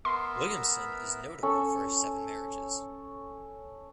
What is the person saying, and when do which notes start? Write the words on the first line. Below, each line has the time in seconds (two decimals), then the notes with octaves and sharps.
Williamson is notable for his seven marriages.
0.05 B3 A#4 E5 C6
1.43 C#4 A4